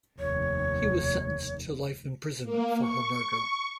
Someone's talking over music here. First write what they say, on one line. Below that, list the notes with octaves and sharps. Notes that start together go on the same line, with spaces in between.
He was sentenced to life imprisonment for her murder.
F1 D#2 C#5
A#3
C#6